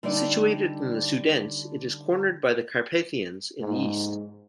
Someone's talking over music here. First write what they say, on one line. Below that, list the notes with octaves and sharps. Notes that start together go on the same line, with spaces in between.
Situated in the Sudetes, it is cornered by the Carpathians in the east.
D3 G3 D4 D#4 D5
G#2